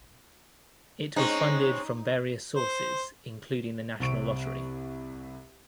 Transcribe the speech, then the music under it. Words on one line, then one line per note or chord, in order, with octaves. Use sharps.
It was funded from various sources including the National Lottery.
G#3 C4 C#4 D#4
C5
C2 C3 C#6 D7